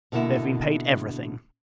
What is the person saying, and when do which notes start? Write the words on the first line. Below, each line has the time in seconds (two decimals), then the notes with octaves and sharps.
They have been paid every thing.
0.12 B2 D3 A#3 E4